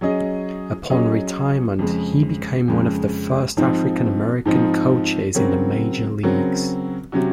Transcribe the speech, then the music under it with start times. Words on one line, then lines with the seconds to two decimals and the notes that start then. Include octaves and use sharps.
Upon retirement, he became one of the first African-American coaches in the major leagues.
0.01 F#3 C#4 G#4 D#5
0.90 F#3 C#4 G#4 D#5
1.79 F2 C#3 G#3
2.68 F2 C#3 G#3
3.57 G#2 F3 C4 D#4
4.46 G#2 F3 C4 D#4
5.34 C#3 F#3 C4 F#4 A#4
6.23 C#3 F#3 C4 F#4 A#4
7.12 C3 F#3 C#4 F#4